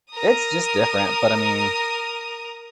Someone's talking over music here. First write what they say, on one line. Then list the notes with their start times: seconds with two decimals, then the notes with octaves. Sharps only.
it's just different, but, I mean,
0.12 A#4 D#6